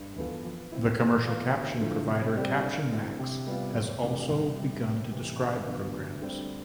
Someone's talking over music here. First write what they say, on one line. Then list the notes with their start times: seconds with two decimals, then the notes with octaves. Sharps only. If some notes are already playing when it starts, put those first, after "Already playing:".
The commercial caption provider CaptionMax has also begun to describe programs.
Already playing: G2
0.16 E3 B3 F4 A4
0.44 F3
0.72 C4 E4
0.99 E3
1.27 B3 F4 B4
1.54 D2
1.81 D3 F3 A3 E4
2.09 C3
2.36 G3 C4 G4 D5
2.64 D3
2.91 A3 C4 E4
3.19 C3
3.47 G3 B3 F4
3.73 F2
4.02 C3 E3 A3 D4
4.29 C2
4.57 C3 G3
4.84 C2
5.11 C3 E3
5.39 D2
5.66 D3 F3 B3
5.94 D2
6.22 D3 G3 C4